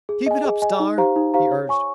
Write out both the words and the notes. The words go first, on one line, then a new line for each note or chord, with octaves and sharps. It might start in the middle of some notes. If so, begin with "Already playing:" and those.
"Keep it up, Star!" he urged.
G#4
D#5 G#5
G#4
D#5 G#5
D#4
G4 C5 F5 A#5
D#4
G4 C5 F5 A#5
C#5
G#5 C#6